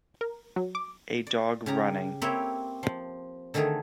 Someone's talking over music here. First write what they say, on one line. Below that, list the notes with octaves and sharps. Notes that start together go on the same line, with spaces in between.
A dog running.
A#4
F#3
D6
D5
C#3 G4 A#5
A#3 C4 E4 G4 C#5
F3
D3 D#3 A3 G#4 A#4